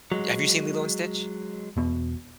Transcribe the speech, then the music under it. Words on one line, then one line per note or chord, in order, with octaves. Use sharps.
D Have you seen Lilo and Stitch?
F#3 G#3
E1 B2